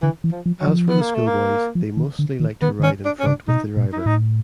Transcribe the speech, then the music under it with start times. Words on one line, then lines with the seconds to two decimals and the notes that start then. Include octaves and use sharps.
As for the schoolboys they mostly like to ride in front with the driver.
0.02 D3 E3
0.24 E3
0.32 F3
0.46 F3
0.60 F#3
0.67 F3
0.89 B3
1.02 A#3
1.15 A3
1.27 A#3
1.75 F3
1.97 D#3
2.19 D3
2.40 D#3
2.62 D#3 B3
2.80 D3
2.83 D#3 C#4
3.05 D4
3.19 C#4
3.26 C#3 D4
3.48 B2 D#4
3.77 A#2
3.92 D#4
3.99 E4
4.06 A2 D#4